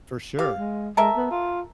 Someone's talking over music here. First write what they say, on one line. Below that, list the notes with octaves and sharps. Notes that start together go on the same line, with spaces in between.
For sure.
G4 F5
G#3
G#3 A4 A#4 E5
B3
F4